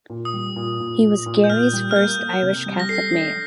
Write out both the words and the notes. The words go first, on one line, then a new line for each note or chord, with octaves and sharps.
He was Gary's first Irish Catholic mayor.
A#2
D#6
G3
A#2
A#2
A#2
A#2
G6
A#2 F6
G3
F6
A#3 G6
A#3
C3
G3
A#6
A4 C7
D4